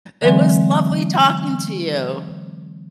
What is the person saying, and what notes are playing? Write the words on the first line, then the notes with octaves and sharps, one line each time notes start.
It was lovely talking to you.
D3 E3 F#3 G#3 C4